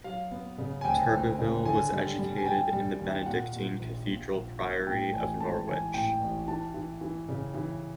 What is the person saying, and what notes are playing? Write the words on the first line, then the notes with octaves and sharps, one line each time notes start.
Turbeville was educated in the Benedictine cathedral-priory of Norwich.
F#3 F5
B3
C#3
G#5
D2 G5
D2
C#3
D3 G#5
G3
G3
G#5
G3 G5
G3
D#2
A#2 F#5
A#2
A#1
A#2
A#1
A#1
A2 G5
A1 G#5
G#3 A5
E3 G#5
A2 G5
A1
E3 A5
E3
E3
C#3
E3